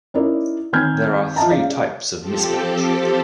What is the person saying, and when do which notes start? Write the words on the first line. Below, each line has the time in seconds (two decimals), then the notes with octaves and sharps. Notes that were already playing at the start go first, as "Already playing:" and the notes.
There are three types of mismatch.
0.14 C#4 D#4 E4 A#4 D5
0.73 D#3 C4 G#5 F6 G6 G#6
1.36 F4 D#5 E5 A5 A#5
1.51 C#4 G#4 D5 E5 F5
2.20 F3 C4 G4 A4